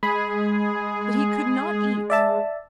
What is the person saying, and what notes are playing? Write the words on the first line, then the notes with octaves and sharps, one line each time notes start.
But he could not eat.
G#3 G#4 B5
D5 E5 A5